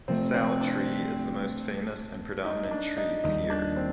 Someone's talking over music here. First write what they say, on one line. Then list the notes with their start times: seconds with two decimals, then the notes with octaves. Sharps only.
Sal tree is the most famous and predominant trees here.
0.08 C3 F3 A3 C4
0.34 C4
0.61 D4
2.45 D#4
2.71 D4
2.97 D#4
3.24 D#2 D#3 G3 D#4
3.50 D4
3.76 C4